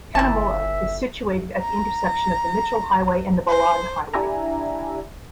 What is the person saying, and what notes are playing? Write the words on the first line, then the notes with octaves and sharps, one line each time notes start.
Cunnamulla is situated at the intersection of the Mitchell Highway and the Balonne Highway.
G1 E3 E5 A5
A#5
C5
D4 E4 G4 E5 G#5 A#5